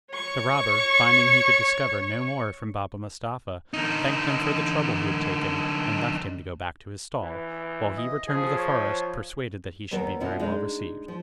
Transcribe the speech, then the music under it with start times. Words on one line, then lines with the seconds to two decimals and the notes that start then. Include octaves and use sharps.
The robber, finding he could discover no more from Baba Mustapha, thanked him for the trouble he had taken, and left him to go back to his stall, while he returned to the forest, persuaded that he should be very well received.
0.13 C#5 C#6
3.73 D3 D#4
7.21 E3
7.97 D#5
8.28 F3 G#4
8.58 C#5
9.91 D#2 G3 B3 A#4
10.20 B2 C#4 E4 F4
10.39 G#3 D4 D#4
11.08 F3